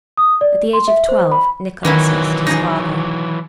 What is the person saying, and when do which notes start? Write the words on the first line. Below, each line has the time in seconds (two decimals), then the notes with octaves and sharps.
At the age of twelve Nickolas lost his father.
0.17 D#6
0.41 D5
0.73 C6
0.88 E5
1.09 C5
1.32 B5
1.85 D#3 E3 F#3 B3 E4
2.47 D#4 G#4